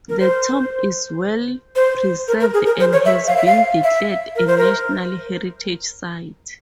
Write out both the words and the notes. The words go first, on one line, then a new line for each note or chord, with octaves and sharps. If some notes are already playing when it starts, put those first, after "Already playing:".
The tomb is well preserved and has been declared a national heritage site.
A#4
C5
C5
A#4
A#4
G#4
A#4
C5
C#5
E5
F5
E5
F5
E5
A#4
C5
A#4